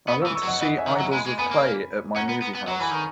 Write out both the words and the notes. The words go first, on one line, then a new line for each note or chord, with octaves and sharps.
I want to see Idols of Clay at my movie house.
B3 B5 D#6
C#6 E6
E3
C#6 E6
F#3
D#5 F#5
E3 D#5 F#5
E5 G#5
D#3
F#5 A#5
F#3
G#3 G#5 B5
G#3
B3 G#5 B5
A#3
C#4 F#5 A#5
B3
B3
B3
F#3 F#5 A#5
E3 G#5 B5
D#3 A#5 C#6